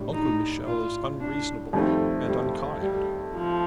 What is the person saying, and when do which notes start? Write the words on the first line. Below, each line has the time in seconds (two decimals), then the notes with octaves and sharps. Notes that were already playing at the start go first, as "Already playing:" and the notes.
Uncle Michel is unreasonable,--and unkind.'
Already playing: A2 G3 D4
0.13 D#4
0.66 F4
1.20 D4
1.73 F2 D#3 G3 A3 C4
2.27 G3
2.81 G3
3.35 F3